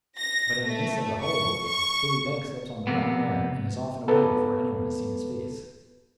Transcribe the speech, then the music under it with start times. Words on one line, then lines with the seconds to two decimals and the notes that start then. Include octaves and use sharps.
But in the midst of the hullabaloo Billy Begs slips on the brown mare and is off and away before anyone has seen his face.
0.17 A#6
0.62 A3
1.22 C#6
1.66 C#6
2.87 F2 C3 A#3 B3
4.08 B3 A4 B4